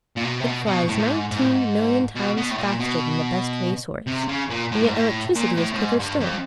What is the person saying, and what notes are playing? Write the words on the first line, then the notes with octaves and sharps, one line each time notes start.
It flies nineteen million times faster than the best race-horse; and yet electricity is quicker still.
A#2
B2
C3
B2
B2
A2
A2
G#2
G#2
A2
G#2
B2
B2
A2
A#2
B2
C3
C#3
A#2
A2
G#2
A2
A#2
A2
A2
G#2
G2
F2